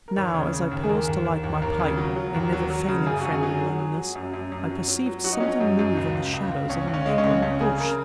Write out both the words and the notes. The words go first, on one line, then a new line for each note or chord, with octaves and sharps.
Now, as I paused to light my pipe--a never-failing friend in loneliness--I perceived something move in the shadows of a neighbouring bush.
A#4
D#2 C#5
C#3
C#3
D#2
G#4
D#2 A#4
D#2
D#2
D#2
D#2 A#4
C#3
F#3
F#3
D#2
F#3
F#3
C#3
F#2 G#4
F#2 F#4
G#4
F#3
F#3
F#3
F#3
F#2
F#2
F#2
F#3
F#3
F#3
F#3 F#4
D#4
F#3 C#4
D#4
F#2
F#2
C#2
C#2
C#2
C#2
C#2 C#4
C#2
C#4
G#3
C#4
C#2
C#2 C#4
C#3 G#4
C#3 A#4